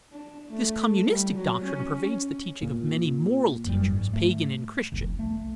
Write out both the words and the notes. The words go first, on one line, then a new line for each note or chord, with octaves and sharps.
This communistic doctrine pervades the teaching of many moral teachers, pagan and Christian.
D4
A3
G3
F#3
C#4
A#2
F#1 F#2 G3
G#2
A3
F1 B1
A3